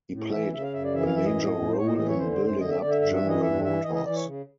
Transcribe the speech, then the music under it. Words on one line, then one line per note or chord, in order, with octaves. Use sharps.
He played a major role in building up General Motors.
A2
E3 E5
C#3 E5
F5
F#2 E5
D5
E3 E5
F5
F#2 E5
D#5
A2
A2
C5
A2 C#5
D#5
E3 D#5
C#5
D3 C5
C5
F#2
C5
D3 D#5
E5
D3 D5
E5
G2 E5
E5
E3
D#5
G2 E5
E3 E5
E3 D#5
D#5
E3 D5
C#5
C#3